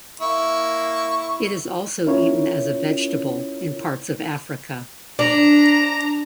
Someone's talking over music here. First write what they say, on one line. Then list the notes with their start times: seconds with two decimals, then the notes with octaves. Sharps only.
It is also eaten as a vegetable in parts of Africa.
0.21 A#3 E4 C#6
2.07 C#4 E4 F4 A#4 C#5
5.19 D4 A#5